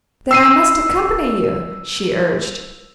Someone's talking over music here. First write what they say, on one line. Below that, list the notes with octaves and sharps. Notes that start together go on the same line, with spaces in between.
"Then I must accompany you," she urged.
E6 C7 D#7